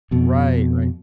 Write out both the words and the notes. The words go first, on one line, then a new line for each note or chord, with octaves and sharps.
Right, right.
F2 B2